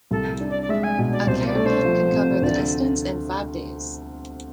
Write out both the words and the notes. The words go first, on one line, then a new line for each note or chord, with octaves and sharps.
A caravan can cover the distance in five days.
C2 A4
D4
D5
D5
G#3 E5
G#5
B2
D5
C2 C5
C5
D5
A3
C5
F3
C3
D2 D5